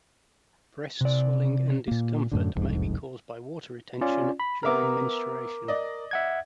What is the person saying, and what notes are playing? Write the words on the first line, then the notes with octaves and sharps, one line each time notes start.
Breast swelling and discomfort may be caused by water retention during menstruation.
C3 D5
A#2 A#3
F#2 A2 D3
E1 C2 F2 G#2
C#4 F4 D5
B5
B3 A#4 E5 A#5 D6
D5 D#5
E5 F#5 G#6